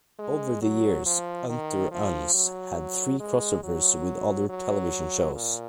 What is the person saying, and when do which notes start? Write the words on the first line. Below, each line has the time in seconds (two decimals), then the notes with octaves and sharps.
Over the years, "Unter Uns" had three crossovers with other television shows.
0.19 G#3
0.62 F#3
1.06 F3
1.49 D#3
1.91 F3
2.34 F#3
3.20 G#3
3.64 F#3
4.49 F#3
5.35 A#2